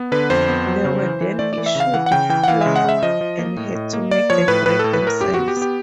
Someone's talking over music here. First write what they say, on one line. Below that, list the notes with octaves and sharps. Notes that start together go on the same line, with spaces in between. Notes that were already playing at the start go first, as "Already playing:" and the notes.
They were then issued flour and had to make the bread themselves.
Already playing: B3
D3 B4
F2 C5
B3
F#3
C#3
E3
E3
A3 D5
E3 D5
E5
C#3 F5
E3 F#5
F#5
C#3 G5
E3 G5
F#5
E3 F5
C#3 E5
F#5
C#3 E5
F3 D#5
F3
A#3
A2
A2
A#3
A#3 D5
F3 C#5
A2 B4
A2 B4
A2 A4
B4
A2 A#4
F#2 G4
B3 F#4
G4
B3
G4